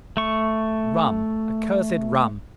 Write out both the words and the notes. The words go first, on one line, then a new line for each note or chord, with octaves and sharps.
RUM, accursed RUM!
A3 C#6